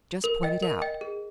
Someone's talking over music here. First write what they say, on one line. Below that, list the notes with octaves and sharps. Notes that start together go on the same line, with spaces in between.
Just point it out.
A#4
D#5 G5
A#4
D#5 G5
G#4